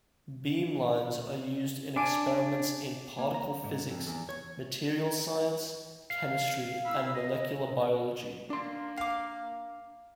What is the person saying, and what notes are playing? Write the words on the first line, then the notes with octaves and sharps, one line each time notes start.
Beamlines are used in experiments in particle physics, materials science, chemistry, and molecular biology.
D4 G#5 D6 D7
A#3
A#5
G#2
F2
E2
C#5
F5 C7
E4 B5 E6
D#5
A#3 D4 C6
F5 D6